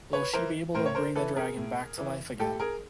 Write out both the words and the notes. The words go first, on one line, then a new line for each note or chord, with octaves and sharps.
Will she be able to bring the dragon back to life again?
B4 C#5
E3 A#4 C5
A2 A#4 C5
C#5
A#4 C5
E3 A4 B4
G#4 A#4
A2
E3
A2 G4 A4
G#4 A#4